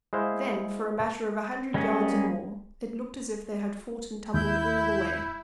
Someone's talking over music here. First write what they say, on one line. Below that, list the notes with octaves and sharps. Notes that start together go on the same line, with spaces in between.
Then for a matter of a hundred yards or more it looked as if they had fought and tumbled all the way.
G#3 E4 C5 F5
G3 G#3 A#3 C#4 G#4
D#2 E4 G6